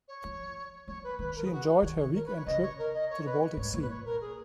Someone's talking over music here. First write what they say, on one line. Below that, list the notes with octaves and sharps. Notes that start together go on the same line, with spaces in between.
She enjoyed her weekend trip to the baltic sea.
C#5
F3
F#3 C#5
B4
D#3 B4
A#4
G#4
F#4
D#3 C#5
C#5
A#4
B4
C#5
C#3 D#5
C#5
A#4
D#5
C#5
B4
C#5
G#2 C#5
A#2 C#5
B4
C#5
A#4
G#4